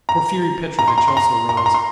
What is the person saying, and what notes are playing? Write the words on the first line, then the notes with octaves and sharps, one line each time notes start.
Porfiry Petrovitch also rose.
A#5
A#5
C6
A#5
C6
A#5
A#5
C6
A#5
C6